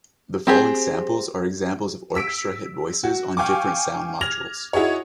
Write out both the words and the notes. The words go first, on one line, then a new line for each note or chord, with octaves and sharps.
The following samples are examples of orchestra hit voices on different sound modules.
C4 G4 G#4
E6 B6 D7
F#4
F5 G5 G#5 C#6 D6
F6 G#6 A#6 F7
D#4 E4 F#4 G#4 C#5